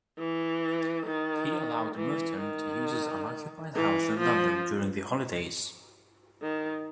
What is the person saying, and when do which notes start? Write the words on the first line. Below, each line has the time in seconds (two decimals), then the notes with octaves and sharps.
He allowed Merton to use his unoccupied house in London during the holidays.
0.18 E3
1.06 D#3
1.95 E3
2.41 D#3
3.75 E3
4.19 F3
6.41 D#3